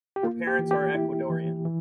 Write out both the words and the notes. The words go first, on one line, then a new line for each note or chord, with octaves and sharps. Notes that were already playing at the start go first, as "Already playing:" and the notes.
Her parents are Ecuadorian.
G4
A#3 F4
G4
E3
G4
E4
E3
E3